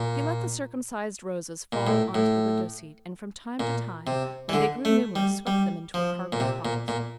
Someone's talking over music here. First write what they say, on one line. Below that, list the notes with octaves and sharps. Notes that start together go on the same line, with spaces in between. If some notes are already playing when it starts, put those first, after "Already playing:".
She let the circumcised roses fall on to the window-seat, and from time to time, when they grew numerous, swept them into a cardboard box.
Already playing: A#2
A#2
A2
A2
A#2
C3
E3
D3
A3
G3
G3
F3
A#2
C3
A#2
A#2